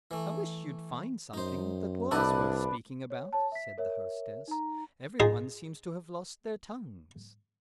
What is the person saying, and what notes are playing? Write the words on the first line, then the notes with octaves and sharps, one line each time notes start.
"I wish you'd find something that was worth speaking about," said the hostess; "every one seems to have lost their tongues."
E3 A3
F#2 D#4 C5
C2 D4 E4 A4 B4 D5 D#5
C#5
C#5 A5
E5 B6
A#4 C#5 E5
D#4 A#5
D#4 F4 G#4